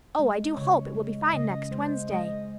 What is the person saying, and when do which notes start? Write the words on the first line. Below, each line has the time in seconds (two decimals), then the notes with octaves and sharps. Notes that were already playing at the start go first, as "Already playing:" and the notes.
Oh, I do hope it will be fine next Wednesday.
0.19 G#3
0.57 C#3 C#5
0.95 G#3
1.33 C#3 D#5
1.71 G#3 C5
2.09 G#3 D#5